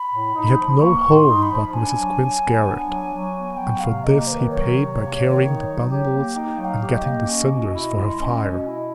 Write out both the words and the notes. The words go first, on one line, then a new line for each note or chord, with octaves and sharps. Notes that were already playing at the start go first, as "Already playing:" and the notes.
He had no home but Mrs. Quinn's garret; and for this he paid by carrying the bundles and getting the cinders for her fire.
Already playing: B5
A2
D#4
F3
A#3 C#6
A2
C6
D#4
B5
F3
D4 G#5
F#3
F#3
B3
D4
F#3
F#3
B3
F#3 G5
C3 F5
A#3 D#5
D#3 C5
B4
F#3 C#5
C3
A#3
D#3
D#4
F#3
G4
A#3
D#4 G5
F#3
F5
G4
D#5
A#3
C#4
B2
E4
G#3
C#4
B2
E4